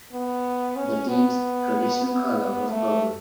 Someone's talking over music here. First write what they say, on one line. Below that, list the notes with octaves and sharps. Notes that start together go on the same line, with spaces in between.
The team's traditional color was purple.
B3
C#4
B3
B3
A3